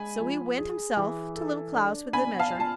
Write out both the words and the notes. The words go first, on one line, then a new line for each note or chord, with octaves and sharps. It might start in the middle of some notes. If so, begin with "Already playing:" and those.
So he went himself to Little Klaus with the measure.
Already playing: G#3 G#5 B5
F3
G#4
E3
A4
D4
B3 G#5 B5
F5 A5
F4
A5